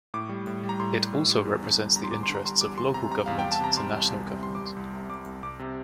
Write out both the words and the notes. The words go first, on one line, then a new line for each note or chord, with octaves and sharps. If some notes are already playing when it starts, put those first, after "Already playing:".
It also represents the interests of local government to national government.
A2 D6
G3
A2
G3
A#5
A2 C6
G3
A2
G3
E2
D3
G3
E2 A#5
C6
E2 D6
C6
D3
A#5
G3 C6
E2 D6
E2 C6
C3 A#5
G3 A#5
E2 F5
G5
E2
A5
C3 A#5
G3 C6
E2
C2
C3
G3 C6
D6
C2
C6
C2
C3
G3 D6
C2
C2 D6
C3